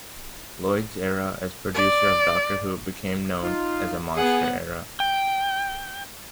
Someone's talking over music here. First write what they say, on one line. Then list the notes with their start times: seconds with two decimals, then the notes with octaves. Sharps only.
Lloyd's era as producer of "Doctor Who" became known as a monster era.
1.74 D5
3.43 D#4 F4
4.16 B3 G#4 F#5
5.00 G5